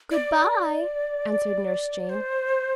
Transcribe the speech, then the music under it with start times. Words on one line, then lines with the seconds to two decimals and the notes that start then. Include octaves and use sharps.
"Good-bye!" answered Nurse Jane.
0.11 D5
0.34 D5
2.09 C5